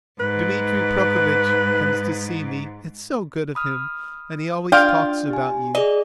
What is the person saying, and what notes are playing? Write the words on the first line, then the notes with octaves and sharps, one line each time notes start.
Dmitri Prokofitch comes to see me, it's so good of him, and he always talks about you.
G#2 B4
B5 D#6 F6
D4 F4 D5 F5 G5 F6
G4 G#5
G#4 D5 D#5